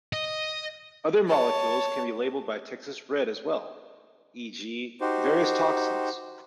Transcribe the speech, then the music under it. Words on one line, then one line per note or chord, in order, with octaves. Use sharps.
Other molecules can be labeled by Texas Red as well, e.g., various toxins.
D#5
C#5 A5
D#4 F#4 G4 C5